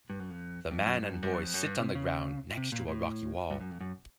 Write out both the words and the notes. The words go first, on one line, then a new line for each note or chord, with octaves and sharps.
The man and boy sit on the ground, next to a rocky wall.
G2
F#2
F2
F2
F#2
G2
F#2
G2
F#2
F2
F#2
G2
C3
C#3
C3
A#2
A2
G2
F#2
F2
F#2